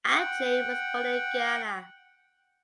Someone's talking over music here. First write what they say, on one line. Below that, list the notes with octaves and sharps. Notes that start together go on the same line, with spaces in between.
Adjei was born in Ghana.
F#5 G5